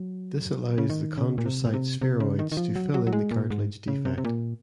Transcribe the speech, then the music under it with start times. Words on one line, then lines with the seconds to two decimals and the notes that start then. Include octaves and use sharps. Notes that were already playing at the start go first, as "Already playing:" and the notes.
This allows the chondrocyte spheroids to fill in the cartilage defect.
Already playing: F#3
0.78 C#3
0.90 D#3
1.18 C#3
1.38 A#2
1.46 C3
1.67 A#2
1.74 C3
2.02 C3
2.20 C#3
2.39 D#3
2.52 D#3
2.57 F3
2.76 F#3
2.94 F#3
3.07 F#3
3.13 G#3
3.31 A#2
3.50 G#2
3.88 C#3
4.05 C3
4.18 C3
4.24 A#2